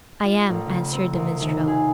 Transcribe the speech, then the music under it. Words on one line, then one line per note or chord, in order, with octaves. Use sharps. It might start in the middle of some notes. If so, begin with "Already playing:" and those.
"I am," answered the minstrel.
F4
A1
C#3
C4
C2
D#2
G#4